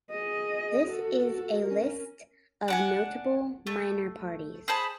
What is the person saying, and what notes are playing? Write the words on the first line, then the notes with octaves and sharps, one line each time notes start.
This is a list of notable minor parties.
G#4 D#5
F#4 A4
C#4 A#4
D4 F#5 G#5
A3
G#4 C5 A5 B5